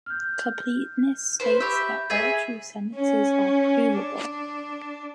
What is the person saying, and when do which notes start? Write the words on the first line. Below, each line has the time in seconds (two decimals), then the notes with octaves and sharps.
Completeness states that all true sentences are provable.
0.06 F6 G6
1.40 B4 C5
1.60 G4 E5 B5 C#6 G6
2.10 G#4 E5 A6 C7 D#7
2.95 C#4
3.91 D4